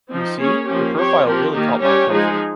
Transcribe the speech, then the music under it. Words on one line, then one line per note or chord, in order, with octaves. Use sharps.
Do you see? Your profile really caught my attention.
F3 C4 D#4
A#3 C#4 G#4 C#5
F3 A#3 C#4 G4
C4 G4 C#5
F3 C4 G4 A#4
D#3 A#3 D#4 G4
G3 C#4 G4 C#5
F3 G#3 D#4 G#4